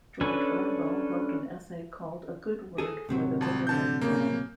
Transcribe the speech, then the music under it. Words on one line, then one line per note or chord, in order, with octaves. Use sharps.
George Orwell wrote an essay called A Good Word for the Vicar of Bray.
C#4 D4 A4 B4 G#5
G#4 A4
A2 C3 F#3
G#1 A5
D3 A5 G6
C#3 A#3